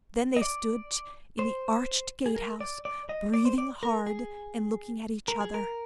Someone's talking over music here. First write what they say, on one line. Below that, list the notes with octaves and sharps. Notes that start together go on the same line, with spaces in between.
Then they stood in the arched gate-house, breathing hard and looking at each other.
D#5
D5
C5
G#4
A#4
D5
D5
D#5
D5
C5
D5
A#4
G#4
A#4
G#4
A#4